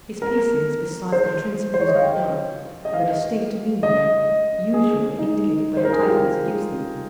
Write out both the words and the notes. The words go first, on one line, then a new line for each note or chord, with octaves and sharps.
His pieces, besides intrinsic musical worth, have a distinct meaning, usually indicated by the titles he gives them.
A#4
C5
C5
C#5
D#5
F5
G5
D#5
F5
D#5
G#4
D#4
C5
A#4
G#4
G4
F4